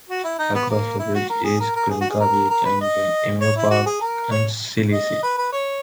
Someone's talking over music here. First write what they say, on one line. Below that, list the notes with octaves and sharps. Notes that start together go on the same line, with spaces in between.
Across the bridge, is Kinka Beach, and then Emu Park and Zilzie.
F#4
E4
D#4
B3
A#3
E4
F#4
A#4
G#4
A#4
A#4
G#4
F#4
G#4
A#4
A#4
B4
D#5
C#5
E4
F#4
G#4
A#4
C#5
D#5
B4
B4
C#5